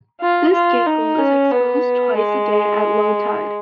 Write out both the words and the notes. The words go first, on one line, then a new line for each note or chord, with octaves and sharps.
This gaetgol is exposed twice a day at low tide.
F4
F4
D#4
C#4
B3
G#3